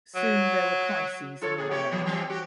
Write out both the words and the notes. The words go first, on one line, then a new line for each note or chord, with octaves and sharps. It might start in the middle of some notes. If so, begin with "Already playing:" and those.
Soon there were crises in the marriage.
F#3
F4 A4 C#5
A#2 G#4
A2 G4 C#5
E3 F#3 B3
E3 G3 C4
F#4 G4